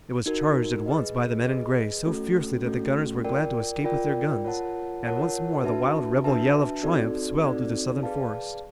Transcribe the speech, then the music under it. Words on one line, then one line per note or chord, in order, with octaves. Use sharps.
It was charged at once by the men in gray so fiercely that the gunners were glad to escape with their guns, and once more the wild rebel yell of triumph swelled through the southern forest.
D#4 F#4 A#4
G#4 B4 D#5
G#4 B4 D#5
A3 C#4 F#4 A4
A3 C#4 F#4 A4
F4 A#4 D5 G5
F4 A#4 D5 G5
F4 A#4 C#5 F#5 A5
F4 A#4 C#5 F#5 A5
D4 F#4 B4 E5 A5
D4 F#4 B4 E5 A5
C4 D#4 F#4 A4 D5
C4 D#4 F#4 A4 D5
G#4 B4 D5 F5 A5